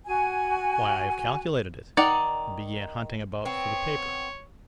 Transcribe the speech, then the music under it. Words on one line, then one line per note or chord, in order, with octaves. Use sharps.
"Why, I have calculated it," and began hunting about for the paper.
F#4 G#5
D#3 D#4 D5 F#5
B3 C4 C#5